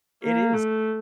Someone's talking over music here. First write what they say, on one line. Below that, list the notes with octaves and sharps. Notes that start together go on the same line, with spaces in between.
It is.
A#3
A3